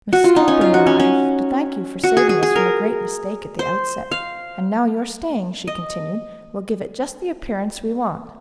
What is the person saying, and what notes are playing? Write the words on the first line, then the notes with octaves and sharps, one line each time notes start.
Miss Kilburn and I have to thank you for saving us from a great mistake at the outset, and now your staying," she continued, "will give it just the appearance we want.
F#4
F4
D#4
C#4
F4
F#4
C#4
C#4
F#4
G#4
G#4
G#4
A#4
C5
F5
D#5